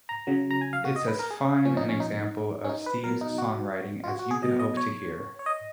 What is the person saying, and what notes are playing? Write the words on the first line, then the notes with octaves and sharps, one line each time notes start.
It’s as fine an example of Steve’s songwriting as you could hope to hear.
A#5
C#3 F#3
A#5
G#5
F5
F#4
D#5
B4
A#4
G#4
A#2 F3 C#4
D#4
C#4
D#4
C#4
D#4
B4
B2 F#3 A#4
D#4
F#4
F4
F#4
F#4
G#4
B2 F#3 D#5
D#5
C#5
C#5
D#5